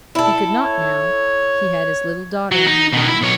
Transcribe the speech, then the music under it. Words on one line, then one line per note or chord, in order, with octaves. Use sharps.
He could not now; he had his little daughter in his arms.
E4 A4
C#5
F#3
D#4
B2 D#3
E4
B1 C#5